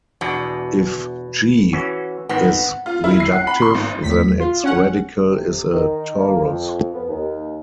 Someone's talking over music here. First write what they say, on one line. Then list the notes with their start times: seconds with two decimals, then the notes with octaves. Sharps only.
If "G" is reductive then its radical is a torus.
0.21 E2 B2 D4 G#5
1.73 E3 C#4 F#4
2.29 G#2 D#3 B3 C4
2.86 F4
3.04 E4
3.20 C7
3.32 F#5
3.47 B5
3.62 C6
3.75 G#1
4.03 E2 A2 B6
4.40 F4
4.64 C#4 F#5
5.29 C3
5.72 D#3
6.20 A#3
6.44 F2
6.94 B3
7.09 D#2